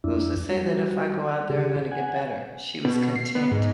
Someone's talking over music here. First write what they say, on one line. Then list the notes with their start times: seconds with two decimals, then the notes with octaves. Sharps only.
"Who's to say that if I go out there, I'm gonna get better?" She was content.
0.04 F2 D4 E4
0.51 G3 F#4
1.50 C#3 G4 G#4
1.91 F#5 G#5
2.85 B2
3.16 C7
3.35 B3
3.51 G#2